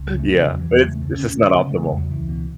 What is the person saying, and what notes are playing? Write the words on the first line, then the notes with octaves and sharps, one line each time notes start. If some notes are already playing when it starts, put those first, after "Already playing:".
Yeah. But it's it's just not optimal.
Already playing: C#2
C#3
A3
C#3
E2 F#3
E3
E2
F#3
C#3 A3
D2
C#4
D2
C#4
D3
C#4
C#3 B3
A3
C#3
G#3
E2 F#3
C#2 E3
B2